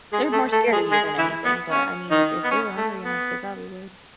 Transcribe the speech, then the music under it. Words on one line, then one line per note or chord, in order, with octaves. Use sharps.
They're more scared of you than anything, but I mean, if they were hungry enough, they probably would.
G#3 G#4
A3 A4
A3 A4
G#3 G#4
G#3 G#4
E3 E4
B3
C#4
D#3 D#4
B3
C#4
A3
B3